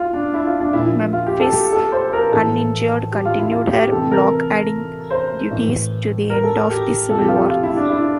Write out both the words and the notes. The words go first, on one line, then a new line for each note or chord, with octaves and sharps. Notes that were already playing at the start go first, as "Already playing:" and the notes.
"Memphis", uninjured, continued her blockading duties to the end of the Civil War.
Already playing: F4
D4
E4
F4
D4
A#2 F3 E4
F4
G4
A4
G4
A4
C5
A#4
A2 E3 A4
G4
F4
E4
F4
G4
C3 E3 A4
A#4
C5
A2 E3
A#4
A4
G4
C3 F3 A4
G4
F4
G4
F4
E4
D4
E4